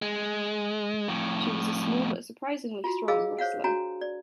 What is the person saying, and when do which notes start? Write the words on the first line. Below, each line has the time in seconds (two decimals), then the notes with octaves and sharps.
She was a small but surprisingly strong wrestler.
0.02 G#3
1.08 F2 A2
2.84 F4 F#4
3.08 G#4 A4 D#5 F5 D6 E6
3.39 C5 C#5 F5 F#5
3.64 D4 F#4 C#5 G#5 A#5
4.01 D5